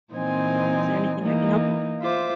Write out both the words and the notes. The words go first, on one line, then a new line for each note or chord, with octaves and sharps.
Is there anything I can help you with, and"
A#2 E3 C4 D#4 C5 G#5
E3 A#3 D#4
F4 C5 E5 D6